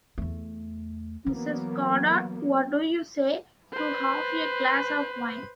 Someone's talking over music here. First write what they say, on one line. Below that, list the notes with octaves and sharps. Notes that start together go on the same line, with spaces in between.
Mrs Goddard, what do you say to half a glass of wine?
E2 A3
E3 F#3 A#3 B3
B4 C5